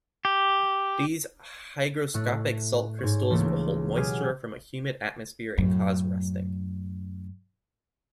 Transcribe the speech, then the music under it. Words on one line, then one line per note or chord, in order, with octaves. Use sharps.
These hygroscopic salt crystals will hold moisture from a humid atmosphere and cause rusting.
G4
A2 A3 F#6
G#2 C#5
C#2 E3 A3 A#3
B2 F#3 G4 G#4 G#5 F6
F#2 A2